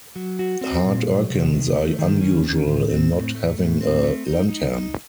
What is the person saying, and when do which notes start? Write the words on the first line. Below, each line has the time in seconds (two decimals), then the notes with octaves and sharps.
Heart urchins are unusual in not having a lantern.
0.16 F#3
0.39 F#4
0.61 C4
0.84 A#2
1.07 F#3
1.30 C3
1.53 D#3
1.76 A3
1.99 D#3
2.21 C#4
2.44 D#3
2.67 A2
2.89 C4
3.12 A2
3.35 A3
3.58 A2
3.81 C4
4.04 A3
4.27 D#4
4.49 D#4
4.72 D#4